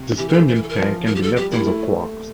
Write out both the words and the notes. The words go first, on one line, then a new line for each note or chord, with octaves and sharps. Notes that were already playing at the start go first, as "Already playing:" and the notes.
This fermion pair can be leptons or quarks.
Already playing: C3
E3 G4
A#4
A4
C5
A#4
A4
A#4
F3
A#4
G4
A4
G3 G4
A#3 E4
G3
A3